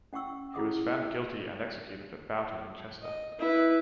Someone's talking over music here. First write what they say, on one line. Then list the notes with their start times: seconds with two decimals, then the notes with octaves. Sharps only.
He was found guilty and executed at Boughton in Chester.
0.13 C#4 F#5 G5 C#6 E6
0.54 E4 F4 G#4 F#5 D6 D#6
3.02 D#5
3.39 E4 B4